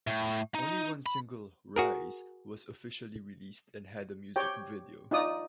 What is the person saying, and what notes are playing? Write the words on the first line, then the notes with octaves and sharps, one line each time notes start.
Only one single, "Rise", was officially released and had a music video.
A2
D#4
B5
F#4 G#4 A#4
G4 C#5 G5
D#4 F4 D5 D#6